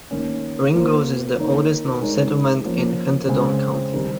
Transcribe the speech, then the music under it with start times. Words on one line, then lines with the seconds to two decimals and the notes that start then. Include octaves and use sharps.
Ringoes is the oldest known settlement in Hunterdon County.
0.11 D#3 A#3 C#4
0.74 A#3 F4 C5
1.38 D#3 A#3 D#4 A#4 C#5
2.01 G#3 D#4 A#4 C#5
2.65 F3 A#3 C#4
3.29 C#3 G#3 C4
3.92 D#3 G3 C4 D#4 A#4